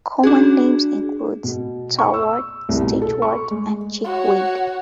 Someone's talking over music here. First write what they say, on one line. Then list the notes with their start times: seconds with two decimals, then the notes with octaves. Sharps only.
Common names include starwort, stitchwort and chickweed.
0.23 D4 F#4 G#4
1.44 B2
1.99 C#6
2.14 E6
2.69 C2
2.82 B2
3.02 A4
3.22 C#6
3.51 G#3
4.05 F#4 C#5